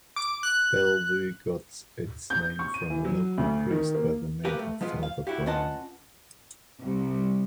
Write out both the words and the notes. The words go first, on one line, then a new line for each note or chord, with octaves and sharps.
Bellevue got its name from a local priest by the name of Father Browne.
D6
F#6
G6
C#6
D#7
E3
F#3
D2
D#3
A#3
G4 A#4 B4 F5
A3
F3 G#3 B3 F4
F5
E4 F#4 G4
C#4 F4 B4 D#5 F#5 A5
C2